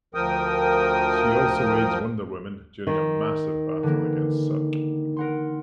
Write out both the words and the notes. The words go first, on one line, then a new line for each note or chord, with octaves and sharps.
She also aids Wonder Woman during a massive battle against Circe.
D2 F3 A#4 G5 D#6
D#3
D3 E3 A#3
A#4 F#5 C6